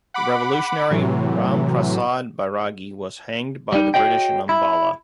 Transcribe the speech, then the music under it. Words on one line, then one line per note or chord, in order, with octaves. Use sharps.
The revolutionary Ram Prasad Bairagi was hanged by the British in Ambala.
F#5 B5 D6
A2 C3 E3 F#3
G3 D#4
F#4 G#4 C#5 D#5 G5
E4